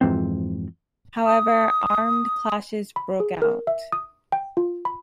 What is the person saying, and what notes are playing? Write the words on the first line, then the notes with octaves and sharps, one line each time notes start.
However, armed clashes broke out.
F2 G#2 E3 C4
D#6
B5
G#4
A#4
E5
D#6
G5
F4
B5